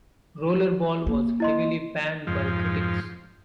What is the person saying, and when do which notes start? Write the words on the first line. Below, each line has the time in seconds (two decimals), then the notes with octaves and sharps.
"Rollerball" was heavily panned by critics.
1.07 A#3
1.40 E4 D#5 C6
2.27 F2 G#2 F3